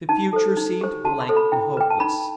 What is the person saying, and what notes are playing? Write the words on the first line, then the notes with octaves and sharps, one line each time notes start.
The future seemed blank and hopeless.
D#4 A5
A4 C5
D#4
G4 C5
F#4 A5
C6
A4 C5
B5
E4 G5
B4 G5
A5
D#4 B5